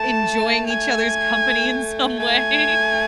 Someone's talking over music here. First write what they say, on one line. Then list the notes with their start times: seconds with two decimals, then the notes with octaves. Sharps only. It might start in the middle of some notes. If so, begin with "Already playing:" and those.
enjoying each other's company in some way.
Already playing: A3 A5
0.68 G#5
2.19 A3 G#5